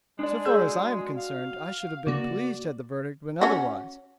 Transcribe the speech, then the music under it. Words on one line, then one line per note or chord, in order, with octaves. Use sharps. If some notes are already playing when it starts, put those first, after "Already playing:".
So far as I am concerned I should have been pleased had the verdict been otherwise.
G#3 D4 D5
F#4 G#4 E6 G6
F5
C#3 A#3 F#4 D5
C#4 F#4